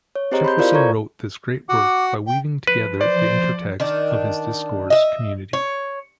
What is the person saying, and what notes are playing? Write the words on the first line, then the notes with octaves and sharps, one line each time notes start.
Jefferson wrote this great work by weaving together the intertext of his discourse community.
C#5
C4 G4 G#4 C5 D#5 A#5
B5 C6 G6
E4 F4 A#4 C5 D5 F5
A4 A#4 C#5 A#5 C#6 G#6
F#4 F#5 D6
G5
F3 B4
C5 D5
D#3 D4
D#5 E5
C#5